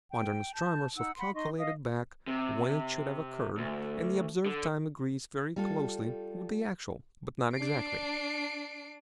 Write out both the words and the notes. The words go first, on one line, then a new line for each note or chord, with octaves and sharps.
Modern astronomers have calculated back when it should have occurred, and the observed time agrees very closely with the actual, but not exactly.
G5
A5 G6
D#4 F#5 E6
F#5 B5 C6
D#4 D#5 C6 C#6
D#5 F5 D#6
C3
D2
D3
G3 F4 A4
D4 C7 D7